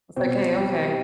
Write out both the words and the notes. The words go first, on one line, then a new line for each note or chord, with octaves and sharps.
It's like, "Hey, okay."
B2 C4
G3